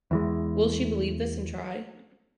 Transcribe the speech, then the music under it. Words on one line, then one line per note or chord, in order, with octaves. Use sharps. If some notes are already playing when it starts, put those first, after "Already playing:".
Will she believe this and try?
E2 E3 G#3